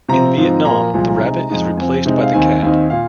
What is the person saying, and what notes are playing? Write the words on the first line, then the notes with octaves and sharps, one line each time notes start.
In Vietnam the Rabbit is replaced by the cat.
C3 F3 C4 A#5
G#2 F3 C4 D#4
A#2 F3 A#3 A#5
C2 A#2 F3 G#3
C3 G#3 D#4
F2 F3 G#3 D#4
F2 F3 C4 G#5
C3 G#3 C4 D#4
F5
D#2 D#3 C4 D#4 G#5
D#2 D#3 C4 D#4
A#2 F5